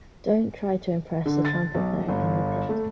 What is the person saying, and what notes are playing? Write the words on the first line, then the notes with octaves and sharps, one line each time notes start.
Don't try to impress the trumpet player in the pit.
D3
A6
B1
G1
A3